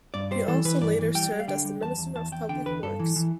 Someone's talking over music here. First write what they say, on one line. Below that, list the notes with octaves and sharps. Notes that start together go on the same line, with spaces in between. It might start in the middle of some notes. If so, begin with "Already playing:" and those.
He also later served as the Minister of Public Works.
G2 D5
G3 C5
E3 A4
E3 B4
G2 D5
E3
G3 G5
G3
F5
D3 G5
G3
E2 A5
E2
E2 A5
E2 G5
D3 G5
E2 B4
G2 A4
E3
E3